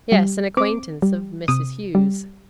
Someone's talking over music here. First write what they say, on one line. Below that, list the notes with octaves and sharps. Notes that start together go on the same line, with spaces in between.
"Yes, an acquaintance of Mrs. Hughes."
G3
C4 D6
G3
C3 D#6
G3